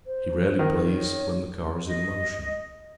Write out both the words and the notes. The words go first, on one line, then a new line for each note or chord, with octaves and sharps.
He rarely plays when the car is in motion.
C5
D#3
C#5
D#5